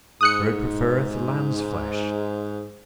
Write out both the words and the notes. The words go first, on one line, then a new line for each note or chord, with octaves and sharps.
For it preferreth lamb's flesh.
G#2 D#6 F#6 C#7